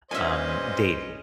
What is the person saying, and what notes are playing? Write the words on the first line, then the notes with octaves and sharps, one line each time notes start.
um, dating.
G2 A#2 C#4 B4 C5 D#5 E5 G#5